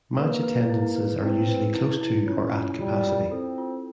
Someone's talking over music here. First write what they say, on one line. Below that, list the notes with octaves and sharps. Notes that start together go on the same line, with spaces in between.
Match attendances are usually close to or at capacity.
A#3 B4
B4
E4
B4
C4 E4
B4
E4
E4
C#4 F4
F4
G3 F4
F4
C4 A4
F4